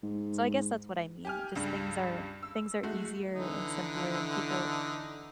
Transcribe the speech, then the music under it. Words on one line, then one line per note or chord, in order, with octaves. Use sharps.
So, I guess that's what I mean. Just things are things are easier and simpler and people
G#2
G4 G#5 F6
C#2 G2 G3
E6
G#3 A3 F#4
D3 E3 D#4